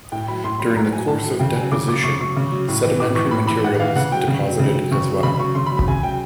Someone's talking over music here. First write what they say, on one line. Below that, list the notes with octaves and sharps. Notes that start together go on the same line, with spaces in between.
During the course of deposition sedimentary material is deposited as well.
A2 G5
F#3 B5
A2 C6
F#3 B5
A2 A#5
F#3 G#5
A2 A5
F#3
C#3 G5
F#3 G#5
C#3 D6
F#3 D6
C#3 C#6
F#3 C#6
C#3
F#3
A2
E3
A2 D6
E3 C#6
A2 B5
E3 B5
A2 F#5
E3 F5
C#3 F#5
F#3 G5
C#3
F#3
C#3
F#3
C#3 C#6
F#3
C#3 B5
F#3 C#6
C#3 C6
B5
F#3
B5
C#3 G#5
F#3 G5